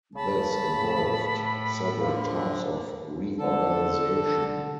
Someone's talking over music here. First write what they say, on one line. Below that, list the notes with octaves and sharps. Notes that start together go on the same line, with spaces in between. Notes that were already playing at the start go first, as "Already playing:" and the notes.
This involved several types of reorganization.
C#3 A5 B5
A2
D3 F3
D3 A4